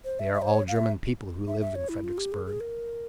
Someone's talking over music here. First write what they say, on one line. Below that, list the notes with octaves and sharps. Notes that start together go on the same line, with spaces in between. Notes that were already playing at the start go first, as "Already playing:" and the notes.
They are all German people who live in Fredericksburg.
C5
E5
E5
C5
C#5
F5
E5
E5
E5
C#5
E4
F4
G4
G#4
G#4
A#4